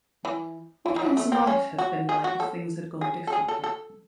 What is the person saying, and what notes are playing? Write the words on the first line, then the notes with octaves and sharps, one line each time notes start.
What would his life have been like if things had gone differently?
E3
E3
D#3
F#3
E3
A3
C4
C#4
F#4
G#4
F#4
A4
G#4
A4
G#4
A4
A4